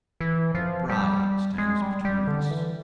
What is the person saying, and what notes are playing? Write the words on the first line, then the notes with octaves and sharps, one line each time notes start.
"Your bride stands between us."
E3
F3
G3
G#3
G3
G3
D3
E3